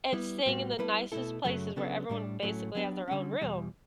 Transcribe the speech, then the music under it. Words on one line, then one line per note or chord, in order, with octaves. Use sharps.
and staying in the nicest places where everyone basically has their own room,
G3 B3 E4
A2 G3 B3 F#4
G3 B3 E4 B4
B2 A3 E4 A4
F#2 C#3 F#3 A3
C#3 F#3 B3 D4 A4
A2 G3 D4
A2 F#3 A3 C#4
F#3 B3 D4 G4 B4
D3 G3 C#4
E2 B2 G3